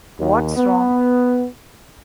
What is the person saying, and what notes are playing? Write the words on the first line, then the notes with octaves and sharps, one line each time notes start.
What's wrong?
D#2
B3